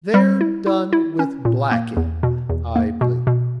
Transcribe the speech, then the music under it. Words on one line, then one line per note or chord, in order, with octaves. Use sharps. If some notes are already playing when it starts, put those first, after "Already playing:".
'They're done with blacking, I believe.'
G3
E4
E4
E4
C#4
A#2
A#3
E2
B2
E2
A#3
B2
B2